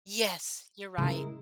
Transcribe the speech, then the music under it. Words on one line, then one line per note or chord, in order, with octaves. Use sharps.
Yes, you're right.
C#3 G#3 E4 A#4